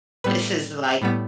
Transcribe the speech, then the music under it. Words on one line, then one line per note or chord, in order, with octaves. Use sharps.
this is, like,
A2 G3 B3 B4
A2 G3 B3